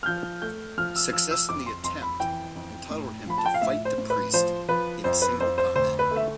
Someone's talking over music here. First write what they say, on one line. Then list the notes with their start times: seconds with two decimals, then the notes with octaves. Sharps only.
Success in the attempt entitled him to fight the priest in single combat.
0.03 F6
0.06 F3 G6
0.42 A3 G6
0.78 F3 F6
0.96 E6
1.13 F3 E6
1.31 E6
1.49 F2 D6
1.66 C6
1.84 F2 C6
2.02 B5
2.20 E3 G5
2.56 F2
2.91 A2
3.27 F3 B5
3.38 A5
3.46 G5
3.54 F5
3.61 A2 E5
3.85 C5
3.98 A2
4.10 B4
4.33 F3 C5
4.68 F3 B4
5.04 F2 C5
5.22 B4
5.40 F2 C5
5.58 C5
5.75 D2 C5
5.99 B4
6.11 A3
6.16 E5